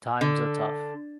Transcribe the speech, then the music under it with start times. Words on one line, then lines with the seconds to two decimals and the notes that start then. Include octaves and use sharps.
Times are tough.
0.21 D3